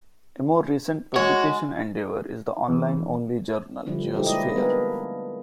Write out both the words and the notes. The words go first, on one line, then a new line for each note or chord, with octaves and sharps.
A more recent publication endeavor is the online-only journal "Geosphere".
G#3 F#4 C#5
E2
D3 F3 G3 E4
G3 A3 A#3 D#4 G4 C5
G#3 A#3 E4 D#5
G3 B3 D4 G#4 A#4 B4
A#3